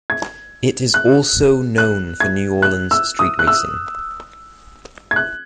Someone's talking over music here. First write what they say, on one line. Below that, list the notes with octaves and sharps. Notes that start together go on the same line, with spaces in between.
It is also known for New Orleans street racing.
G#6
F#6
F#6
G#6
F#6
E6
D#6
F#6
E6
G#6
F#6